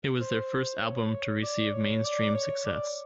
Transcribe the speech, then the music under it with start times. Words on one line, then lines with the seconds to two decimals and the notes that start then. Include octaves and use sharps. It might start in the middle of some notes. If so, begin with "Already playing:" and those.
It was their first album to receive mainstream success.
0.21 C5
0.82 C#5
1.43 D5
1.74 C#5
2.05 D5
2.35 C#5
2.66 D5